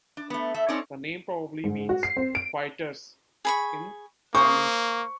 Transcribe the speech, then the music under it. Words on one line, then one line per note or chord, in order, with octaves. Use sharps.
The name probably means "fighters" in Gaulish.
D4
A3 B3
A3 E5
C4 C#4 D#4 A4 C#5 D5
G#2
F#4
C7
C4
D7
G#4 B5 C#6
A#3 C5 C#6 D#6